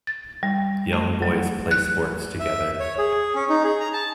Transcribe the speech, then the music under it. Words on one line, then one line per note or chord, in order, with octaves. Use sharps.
Young boys plays sports together.
A6
G3
A3
F#3
F#6
E5
C#5
G#4
C#4
D#4
G#4
A#5
A5